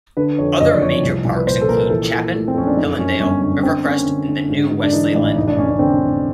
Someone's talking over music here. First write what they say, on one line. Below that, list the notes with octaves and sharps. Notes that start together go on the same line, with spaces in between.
Other major parks include Chapin, Hillendale, Rivercrest, and the new Wesley Lynn.
D3 B4
F2 C#5
F#1 D#5
D5
F3 C#5
C2
C2
B4
A#2 C5
A4
A#2 A#4
E3 A4
E3
A3
C4
F2 C#4
D4
F#2 D#4
F#2 C#4
G1 C#4
D3 C#4
D3 C4
A#3 C#4
D3
D3
G#2
G#2
D4
E3 D#4
A1
F1 D#4
D4
F1 C#4
C#4
D3 C4
D3